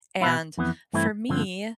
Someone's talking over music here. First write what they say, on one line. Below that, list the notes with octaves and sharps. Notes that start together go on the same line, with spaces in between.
and for me,
B2 B3 E4
F2 E3 B3
G2 E3 A3 C4 E4
G2 D3 F3 C4